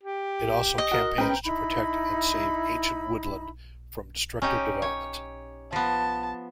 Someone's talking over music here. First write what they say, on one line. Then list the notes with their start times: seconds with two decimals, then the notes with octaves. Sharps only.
It also campaigns to protect and save ancient woodland from destructive development.
0.03 G4
0.78 D#5
0.91 F#4 A#4
1.18 C#4 B4 G5 A#5
1.44 D#4 E4 B5
4.42 C#4 D#4 G4
4.82 C#5
5.72 F3 B3 A5